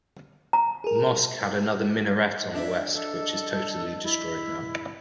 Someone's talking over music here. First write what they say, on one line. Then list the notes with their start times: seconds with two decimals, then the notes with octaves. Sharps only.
The mosque had another minaret on the west, which is totally destroyed now.
0.53 A#5
0.84 G#4 A#4
2.41 D#5
2.54 D4 E5
2.93 A4
4.03 E4